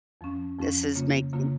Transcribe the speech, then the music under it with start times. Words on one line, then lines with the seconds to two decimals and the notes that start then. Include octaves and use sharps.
this is making
0.21 F2 F3 C#4
0.58 F2 F3 C#4
0.96 C#3 A#3 F4
1.33 C#3 A#3 F4